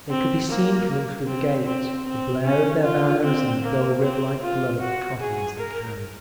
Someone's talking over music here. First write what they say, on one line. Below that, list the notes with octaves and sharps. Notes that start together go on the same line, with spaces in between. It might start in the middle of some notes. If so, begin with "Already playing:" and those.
They could be seen coming through the Gate, the blare of their banners, and the dull red--like blood--of the coffins they carried.
C4
A#3
C4
C4
C4
C#4
F4
C4
A#3
C4
F4
F#4
G#4
A#4